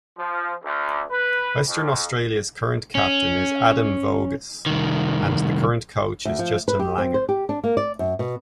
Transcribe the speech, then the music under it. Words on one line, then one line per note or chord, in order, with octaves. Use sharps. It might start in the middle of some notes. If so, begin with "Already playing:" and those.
Western Australia's current captain is Adam Voges, and the current coach is Justin Langer.
F3
D2
B4
F2
C#4
C2 D#3
D2
F3
B4
G4
C4
C5
G4
D4
A#3
D5
F#2
B2